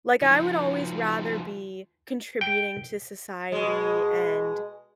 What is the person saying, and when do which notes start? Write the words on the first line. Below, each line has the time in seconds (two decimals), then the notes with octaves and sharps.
Like, I would always rather be contributing to society and
0.22 D#3 F3
2.41 G5
3.52 B2 G#3